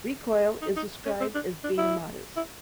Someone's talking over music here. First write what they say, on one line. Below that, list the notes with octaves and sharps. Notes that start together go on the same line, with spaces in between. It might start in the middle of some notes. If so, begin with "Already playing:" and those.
Recoil is described as being modest.
D#4
D#4
C#4
C4
D4
D4
E4
E4